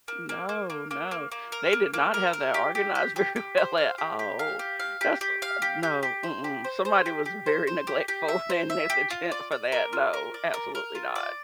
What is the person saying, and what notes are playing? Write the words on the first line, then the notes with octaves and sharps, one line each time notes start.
No, no, they did not have that organized very well at all. That's a No, mm-mm, somebody was very neglectful and negligent for that, no, absolutely not.
A#3
A#3
A#3
A#3
A#3
A#3
A#3
A#4
A#3
A#3
A#4
A#4
G4
G4
G4
G4
G4
C5
F5
G4
G4
F5
G4
F5
G4
G4
F5
G4
G4
G4
C5
G4
C5
C5
G4
G4
C5
C5
G4
G4
E5
C5
E5
G4
F4
D5
D5
A#4
F4
A#4
D5
A#4
A#4
F4
D5